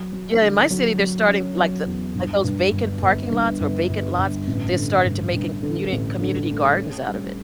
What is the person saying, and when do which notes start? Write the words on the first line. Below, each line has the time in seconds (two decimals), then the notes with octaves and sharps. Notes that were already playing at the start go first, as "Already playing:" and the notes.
Yeah, in my city, they're starting like the like those vacant parking lots or vacant lots, they started to making communi community gardens out of it.
Already playing: F#3
0.13 F#3
0.42 D3
0.70 F#3
0.99 F#3
1.28 C#4
1.57 F#3
1.86 E2
2.15 G2
2.44 G2
2.73 G1
3.02 G1
3.31 G2
3.60 G1
3.89 G1
4.18 G1
4.47 A1
4.76 D3
5.05 G2
5.34 G2
5.63 D3
5.92 A1
6.21 D3
6.50 A3
6.80 C#4
7.08 G3